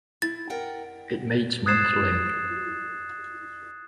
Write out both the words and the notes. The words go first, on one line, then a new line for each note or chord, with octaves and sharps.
It meets monthly.
E4 A6
A#4 F#5 G5
D#6 F#6 G#6 A6 C7 E7